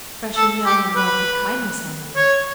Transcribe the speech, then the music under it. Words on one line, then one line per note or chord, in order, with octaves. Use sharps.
'Fresh and young in warmth and kindness, I mean.
A4
G4
B4
C#5